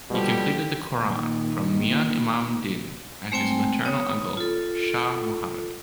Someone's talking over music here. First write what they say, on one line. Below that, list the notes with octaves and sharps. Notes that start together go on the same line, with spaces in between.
He completed the Quran from Mian Imam Din and his maternal uncle Shah Muhammad.
B2 D3 F3 G3 G4
A#2 D#3
G#3 A3 C4 C5 G5 G#5
B3 C#5 D#6
F4 A4